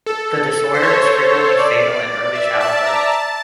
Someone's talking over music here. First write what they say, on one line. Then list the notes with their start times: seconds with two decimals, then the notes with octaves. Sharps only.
The disorder is frequently fatal in early childhood.
0.06 A4
0.74 C5
0.83 C#5
1.59 D5
2.35 E5
2.61 A5
2.86 A#5
3.11 A5